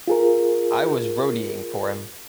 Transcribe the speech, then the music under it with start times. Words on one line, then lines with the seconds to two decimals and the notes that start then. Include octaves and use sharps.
I was roadieing for him!
0.08 F4 G#4 A#4